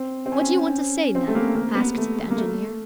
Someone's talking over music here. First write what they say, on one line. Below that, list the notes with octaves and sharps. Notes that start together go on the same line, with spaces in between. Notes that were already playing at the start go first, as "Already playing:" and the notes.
"What do you want to say, Neb?" asked the engineer.
Already playing: C4
C4
C#4
C4
A3
A#3
A#3
B3
A3
A3
A#3
A3